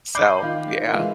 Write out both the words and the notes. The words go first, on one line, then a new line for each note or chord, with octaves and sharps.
So, yeah.
D5 B5 D6 G6 C7
D#3 F4
A#3
E3 G#3 E4 F4